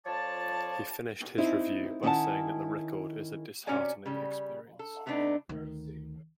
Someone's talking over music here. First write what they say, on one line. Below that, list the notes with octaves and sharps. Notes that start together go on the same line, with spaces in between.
He finished his review by saying that the record is a disheartening experience.
F2 F3 C#5 D5 A5
C4 D#4 E4
D#3 C#4 E4 C#5 F#5 A5
C3 C#4 F#4 C#5 D5 G#5
C#3 G3
A4
C3 A3 B3 C4 D4 D#4
D2 D#3